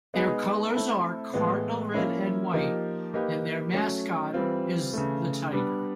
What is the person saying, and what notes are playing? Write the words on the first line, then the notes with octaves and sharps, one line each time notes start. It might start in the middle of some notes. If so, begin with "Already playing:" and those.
Their colors are cardinal red and white, and their mascot is the Tiger.
G#3 B3 D#4 G#4 B4
A3 C4 E4 A4
A2 E3 G#3 B3
F3 A#3 C#4 E4
F3 A#3 D#4 G4 A#4
A#3 D#4 G4 B4
F#3 A3 C#4
E3 G3 C4 F4
C#3 E3 A3
G3 B3 D4